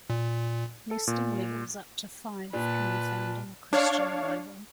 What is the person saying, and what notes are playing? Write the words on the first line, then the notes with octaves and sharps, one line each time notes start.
Nesting levels up to five can be found in the Christian Bible.
A#2
A4
A#2
A#2 B4 A5
D4 C#5 F5